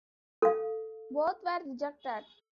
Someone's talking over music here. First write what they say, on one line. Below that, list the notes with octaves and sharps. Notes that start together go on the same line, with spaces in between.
Both were rejected.
A4 F5